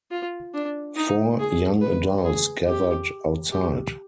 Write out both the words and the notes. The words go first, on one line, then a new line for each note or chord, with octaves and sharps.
Four young adults gathered outside.
F4
D4
D#4
G#4
B4
G#4
G4
G4